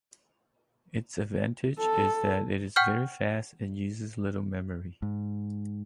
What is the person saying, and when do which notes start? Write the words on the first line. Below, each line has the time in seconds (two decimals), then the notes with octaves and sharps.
Its advantage is that it is very fast and uses little memory.
1.79 A4
2.76 F#5 G5 C#6 F6 G6
5.02 G#2